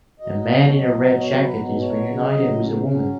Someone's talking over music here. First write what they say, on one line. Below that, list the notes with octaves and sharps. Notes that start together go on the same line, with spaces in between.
A man in a red jacket is reunited with a woman.
F#3 D#5
D#5
B2
C#5
F#3
D#5
B2 D#5
C#5
F#3
B4
B2
F#3 C#5
C#3
D#5
F#3
C#3 C#4
B3
C#4
F#3